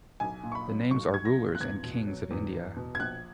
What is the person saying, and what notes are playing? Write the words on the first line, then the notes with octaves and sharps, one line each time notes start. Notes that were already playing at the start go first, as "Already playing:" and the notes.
The names are rulers and kings of India.
B1 G#5
A#2
C#6
B5
F#3
B1 C#6
B1 G#6
A#6
A#2
F#6
E2 G#6
B2
F#3
E2
E2
B2
G#6
A#1 F#6